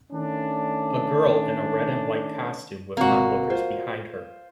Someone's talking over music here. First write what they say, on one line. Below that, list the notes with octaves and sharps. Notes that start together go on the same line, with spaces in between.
A girl in a red and white costume with onlookers behind her.
D#3 A3 C#4 D4
G#1 C3 A#3 F#4
F4 C5